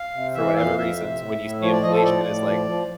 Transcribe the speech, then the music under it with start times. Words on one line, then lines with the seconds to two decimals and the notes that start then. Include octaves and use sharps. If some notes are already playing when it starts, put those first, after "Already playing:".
for whatever reasons, when you see inflation is like
Already playing: F5
0.14 C3
0.35 E3 E5
0.56 F2 F5
0.77 F2 E5
0.98 C3
1.19 A2
1.40 A2
1.61 F3 C#5
1.72 D5
1.82 F3 D#5
1.93 A4
2.03 A2 D5
2.24 A2
2.45 F3
2.66 F3